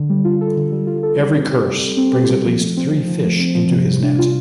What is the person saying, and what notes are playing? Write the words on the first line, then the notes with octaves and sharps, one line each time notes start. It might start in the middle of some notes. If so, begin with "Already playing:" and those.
Every curse brings at least three fish into his net.
Already playing: D3
G3
F4
A4
D3
G3
F4
A4
G3
C4
G4
G3
G3
C4
G4
G3
F3
A3
C4
F3
F3
A3
C4
F3
C3
G3
D4
F4